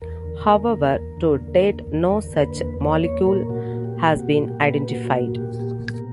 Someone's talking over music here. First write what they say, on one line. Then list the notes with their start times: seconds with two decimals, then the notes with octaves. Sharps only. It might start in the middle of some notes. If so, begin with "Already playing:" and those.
However, to date no such molecule has been identified.
0.02 E2 A#4
0.25 D3
0.47 A#3
0.71 E2
0.95 E2
1.17 D3
1.40 A#3
1.65 E2
1.87 E2
2.11 D3 A#4
2.34 A#3 B4
2.56 E2 B4
2.80 A#3 C#5
3.03 A#3 C#5
3.27 A#2 A#4
3.49 A#2 F#4
3.73 A#3
3.84 G4
3.97 A#3
4.19 A#2 F#4
4.43 A#2 G4
4.65 A#3 B4
4.89 A#3 F#4
5.12 A#2 F#4
5.35 A#2 G4
5.60 A#3 G4
5.82 B2
5.94 A#4